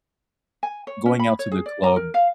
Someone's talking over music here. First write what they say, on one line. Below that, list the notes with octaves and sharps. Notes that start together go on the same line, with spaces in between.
Going out to the club
G#5
C#5
C#4
B5
C#5
G#4
D5
A#5
A#4
F5